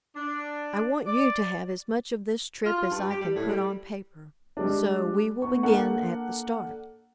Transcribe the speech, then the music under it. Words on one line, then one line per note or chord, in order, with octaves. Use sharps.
I want you to have as much of this trip as I can put on paper, so we will begin at the start.
D4
D5
F4
F4
G2
G4
G3
A2
G3
G3 G#3 D4
B3 C#6
A#3 D4 A4 F#5